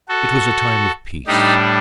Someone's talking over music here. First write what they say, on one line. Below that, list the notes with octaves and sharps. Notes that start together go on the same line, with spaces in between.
It was a time of peace.
F#4 A4
A2 G3 D4 D#4 G4